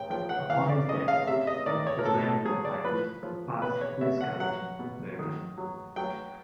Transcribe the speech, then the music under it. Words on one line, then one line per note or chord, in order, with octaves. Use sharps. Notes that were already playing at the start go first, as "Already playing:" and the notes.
Upon his death, his lands and titles passed to his cousin, Bernard.
Already playing: G5
F3 G5
F#5
E3 F5
D5
C#3 D#5
F5
C3 E5
D#5
D#3 D5
C#5
A#4
A2 A4
A4
F#3 G#4
D5
F3 B4
F3
B2 B4
C#5
B2 E5
F#5
F#3 F#5
B2
D#3
F#3
F#3 G5